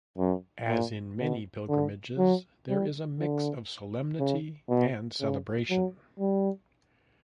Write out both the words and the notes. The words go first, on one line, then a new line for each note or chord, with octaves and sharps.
As in many pilgrimages, there is a mix of solemnity and celebration.
F#2
A#2
B2
D3
F#3
G3
D3
C#3
B2
C#3
F#3
G3